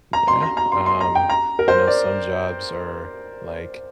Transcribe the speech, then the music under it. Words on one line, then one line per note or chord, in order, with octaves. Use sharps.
Yeah, um, I know some jobs are, like
A#5
C6
A#5
A#5
C6
C6
A#5
G5
A#5
A#4
C5
D5